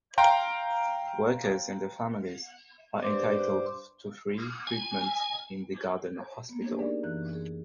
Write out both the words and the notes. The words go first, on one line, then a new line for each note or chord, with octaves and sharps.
Workers and their families are entitled to free treatment in the garden hospital.
F5 G5 A#5 C6
G2 C5 D6
G#5
A#3 B3
D4 G4
D4 D#4 G#4 A#4 D5
F#2 E3 F#6
G#4